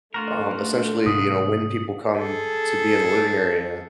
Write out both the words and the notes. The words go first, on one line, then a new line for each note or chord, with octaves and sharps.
um, essentially, you know, when people come to be in the living area,
A3 D4 F4 F#4 A#4
G#2 C3 D#6
G#4 A4